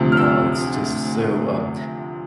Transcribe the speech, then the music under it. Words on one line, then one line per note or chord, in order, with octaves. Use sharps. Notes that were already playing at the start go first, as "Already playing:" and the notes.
Oh, it's just so, um
Already playing: D2 C3 F3
F6
E6